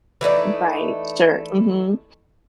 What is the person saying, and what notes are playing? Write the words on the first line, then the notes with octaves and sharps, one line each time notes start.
Right, sure. Mhm.
E3 A3 D#4 D5